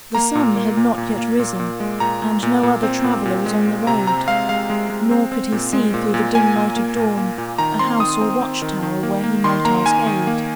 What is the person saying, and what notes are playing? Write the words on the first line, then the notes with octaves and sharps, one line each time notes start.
The sun had not yet risen and no other traveler was on the road, nor could he see through the dim light of dawn a house or watch-tower where he might ask aid.
A#3 A#5
A#2
A#3
A#2
A#2
A#3
A#2
A#2
G#3
A#2 A#5
A#2
A#2
A#2
C4
A#2
A#2
G#3
A#2
C3 A#5
C4 A#5
G#3 F5
G#3 F5
G#3
G#3
C4
C4
A#2
G#3
A#2
A#2
A#3 G#5
A#2
A#3
A#2
A#3
A#2
D#3 A#5
C4 C6
D#3 D#6
C4
C4
D#3
D#3
A#3
A#3
D#3 C6
A#3 A#5
D#3 G#5
D#3
A#3